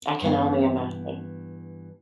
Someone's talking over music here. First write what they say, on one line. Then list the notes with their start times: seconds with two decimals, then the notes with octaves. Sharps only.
I can only imagine.
0.21 G2 E3 B3 F5